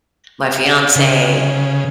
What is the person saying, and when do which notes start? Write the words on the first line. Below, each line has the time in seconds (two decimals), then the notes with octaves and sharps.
my fiance.
0.96 C#3